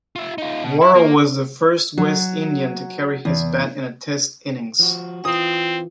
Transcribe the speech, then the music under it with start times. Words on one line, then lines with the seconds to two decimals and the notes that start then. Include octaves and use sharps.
Worrell was the First West Indian to carry his bat in a Test innings.
0.16 F4 E5
0.38 D#4 F4
0.64 B2
0.81 E4
0.95 A#3
1.98 F#3
3.25 E2
4.80 F3 F#4
5.25 E3 C4 F4 D#6